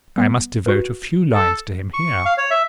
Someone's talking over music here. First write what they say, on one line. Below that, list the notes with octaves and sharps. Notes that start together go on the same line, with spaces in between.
I must devote a few lines to him here.
G3 B3
F#4 B4
A4
C#6
F5
C#5
E5